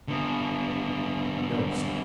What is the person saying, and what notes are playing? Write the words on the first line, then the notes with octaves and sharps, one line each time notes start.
"No, sir."
D3 B3